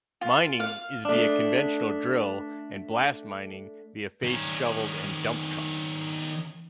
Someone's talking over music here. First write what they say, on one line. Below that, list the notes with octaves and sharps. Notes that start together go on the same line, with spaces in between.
Mining is via conventional drill and blast mining via face shovels and dump trucks.
F4
F5
A3 D4
D#3 C#4